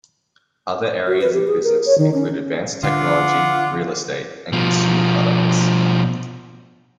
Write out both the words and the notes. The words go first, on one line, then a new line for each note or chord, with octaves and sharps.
Other areas of business include advanced technology, real estate and consumer products.
F#4
B4
G4
G#4
A#4
C#5
D#3
C#4
D3 F4 F#5 D6
B2 F3